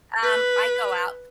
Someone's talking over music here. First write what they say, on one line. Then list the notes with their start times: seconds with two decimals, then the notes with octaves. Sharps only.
Um, I go out.
0.22 B4